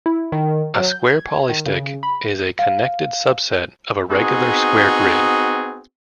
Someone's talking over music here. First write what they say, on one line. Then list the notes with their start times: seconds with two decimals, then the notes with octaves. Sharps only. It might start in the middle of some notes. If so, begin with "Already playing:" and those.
A square polystick is a connected subset of a regular square grid.
0.06 E4
0.32 D#3
0.75 F#3
0.87 G6
1.10 G#6
1.49 D#3
1.66 C#3
2.03 B5
2.59 F5
4.11 B3 C4 D#4 F#4 G#4